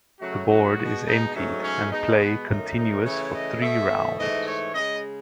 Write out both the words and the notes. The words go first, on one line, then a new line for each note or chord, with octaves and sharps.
The board is emptied and play continues for three rounds.
C#3 F#3 A3 F#4
F#4
B2 G#3
D#4
G#2 F#3 A3 C#4
C#4
B2 G#3 D#4
B3
F#2 D#3 A3 D#4
D#4
C#3 E3 A3 C#5
D#5
B2 A3 E5
G#2 E3 A3 D#5
C#5
C#3 G#3 D#5